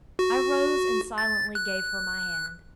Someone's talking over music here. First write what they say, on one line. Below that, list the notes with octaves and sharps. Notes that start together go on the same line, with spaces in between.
I rose and silently gave her my hand.
F#4
A6
F#6